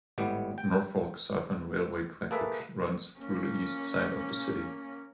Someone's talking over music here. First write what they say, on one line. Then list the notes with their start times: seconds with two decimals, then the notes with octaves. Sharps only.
Norfolk Southern Railway trackage runs through the east side of the city.
0.18 G#1 A2 G3 B3
0.58 G5
2.31 A#3 G#4 A4 B4 E5
3.18 A#3 C#4